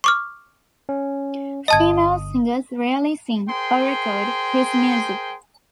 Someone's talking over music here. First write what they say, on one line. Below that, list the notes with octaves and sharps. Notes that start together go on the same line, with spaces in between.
Female singers rarely sing, or record, his music.
C#6 D6 F6
C#4
G1 D#5 A5 D#6 G#6
G#4 A#4 C5 G5 C6